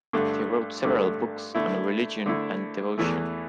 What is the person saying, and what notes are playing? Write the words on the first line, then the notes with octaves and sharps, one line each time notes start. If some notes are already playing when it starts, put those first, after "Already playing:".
They wrote several books on religion and devotion.
G2 D3 A3
G2 D3 A3
D3 A3 E4
D3 A3 E4
E2 E3 A3